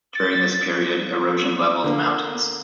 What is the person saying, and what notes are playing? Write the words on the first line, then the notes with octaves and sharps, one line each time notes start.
During this period, erosion leveled mountains.
A6
D3 A#3